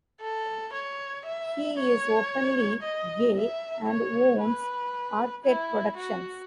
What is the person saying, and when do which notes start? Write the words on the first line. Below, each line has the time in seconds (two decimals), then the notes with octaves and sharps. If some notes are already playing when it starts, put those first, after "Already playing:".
He is openly gay and owns Arcade Productions.
0.21 A4
0.73 C#5
1.26 E5
1.79 C#5
2.83 D#5
3.36 E5
3.88 C#5
4.40 B4
5.45 E4
5.97 F#4